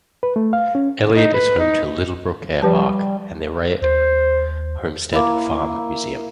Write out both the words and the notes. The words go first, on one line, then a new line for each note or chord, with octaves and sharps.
Eliot is home to Littlebrook Airpark and the Raitt Homestead Farm Museum.
B4
A3
F5
C#4
D#4
B4
D#4
F3 G3 B4 A5
D#2 C5
A#3 E4